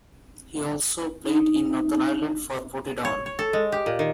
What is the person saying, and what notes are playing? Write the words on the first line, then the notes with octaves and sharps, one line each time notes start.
He also played in Northern Ireland for Portadown.
D#4
C#5
C#5
A4
G#3
G4
A#2
D#3